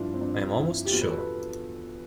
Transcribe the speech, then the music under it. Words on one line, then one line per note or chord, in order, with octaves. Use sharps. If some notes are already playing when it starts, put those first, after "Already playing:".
I am almost sure.
Already playing: G2 F3 D4 E4 F4
C4
D4
E4
G4
E2 B2 F4
B4
A4
B4